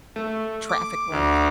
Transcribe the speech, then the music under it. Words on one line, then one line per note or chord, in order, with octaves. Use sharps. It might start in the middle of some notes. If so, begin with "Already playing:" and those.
traffic light?
A3
D6
D2